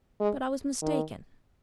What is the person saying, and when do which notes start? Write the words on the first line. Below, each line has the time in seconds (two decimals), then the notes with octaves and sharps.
But I was mistaken.
0.20 G#3
0.83 D#3